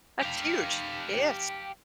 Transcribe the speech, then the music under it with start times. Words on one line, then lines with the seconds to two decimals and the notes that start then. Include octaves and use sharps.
That's huge. Yes.
0.23 G4 F5